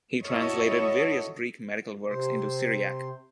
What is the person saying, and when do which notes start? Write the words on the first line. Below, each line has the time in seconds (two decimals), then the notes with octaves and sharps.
He translated various Greek medical works into Syriac.
0.24 E4 F#4 A4 C#5 D#5
2.07 C3 C5